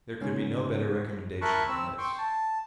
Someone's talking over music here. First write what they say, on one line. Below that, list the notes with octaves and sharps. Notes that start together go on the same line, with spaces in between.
There could be no better recommendation than this.
G#2 C#3 B3 C#4
E4 A#4 A5 B5 C#6 F#6
C4 E6
G5 C6 C#6
A5